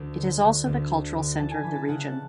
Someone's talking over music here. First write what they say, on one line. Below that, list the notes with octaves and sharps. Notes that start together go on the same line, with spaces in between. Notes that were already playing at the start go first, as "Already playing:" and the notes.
It is also the cultural centre of the region.
Already playing: D2
D3
D3
D2
D3
D3
E3 A5
G#5
E3 B5
A5
C#3 F#5
A5